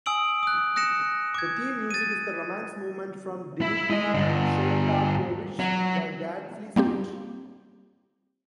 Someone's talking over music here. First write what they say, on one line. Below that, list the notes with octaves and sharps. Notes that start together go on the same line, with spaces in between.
The theme music is the Romance movement from Dmitri Shostakovich's "The Gadfly Suite".
G#5 D#6 E6 D7 F#7
D#6 F#6
D#6 F#6 A#6 C#7 E7
D6 G#6
A6 D#7
E4
G#3 D#5
G2 D3
F#3
G3 A#3 C4 G4